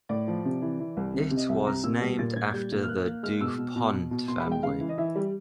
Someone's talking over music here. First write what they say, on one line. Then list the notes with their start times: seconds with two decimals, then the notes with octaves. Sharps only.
It was named after the Du Pont family.
0.09 A2 D5
0.28 F3
0.45 C3
0.62 E3
0.80 E3
0.97 C2
1.14 C3
1.31 C3
1.37 D#5
1.49 C2 E5
1.66 C3 A#5
1.83 A#2 E6
2.01 G3
2.19 A#2 A6
2.36 A#2 G#6
2.47 G#6
2.54 G3 G6
2.72 A#2
2.83 F6
2.88 A#3 F#6
3.06 A#3
3.23 G#3 F6
3.41 B2 E6
3.58 B2
3.76 B2
3.93 B2
4.11 B2
4.28 B2 C6
4.40 B5
4.46 G#3
4.51 G5
4.63 C#3 F5
4.80 E3
4.89 D#5
4.98 E3 E5
5.15 G3